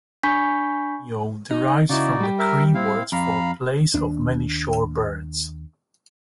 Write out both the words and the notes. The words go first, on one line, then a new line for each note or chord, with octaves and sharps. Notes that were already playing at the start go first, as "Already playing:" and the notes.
Ma-Me-O derives from the Cree words for "place of many shore birds".
D4 G#5 B5 C#6 G6 B6
D#4
C#3 D#4 E4 F#4 D5
G3 G4
A#4 E5
C4 E4 F5
F2 F5 A#5 B5
D#2 D4